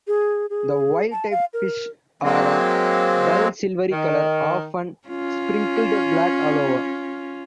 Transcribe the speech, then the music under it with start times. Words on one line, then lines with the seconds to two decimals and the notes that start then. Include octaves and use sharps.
The wild-type fish are a dull silvery color, often sprinkled black all over.
0.07 G#4
0.50 G#4
1.11 A5
1.31 F5
1.53 A#4
2.22 F#3 G#3 A#3 C4
3.91 D#3
5.08 C#4 F4